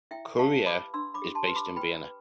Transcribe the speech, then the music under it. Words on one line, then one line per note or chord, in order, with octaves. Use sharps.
"Kurier" is based in Vienna.
E4 E5 G5
G4 F5 A5
B4 B5 D6
D4 C6 E6
B5 D6
G4
A5 C6
B4 C6
B5 D6
B4 G5 B5
B4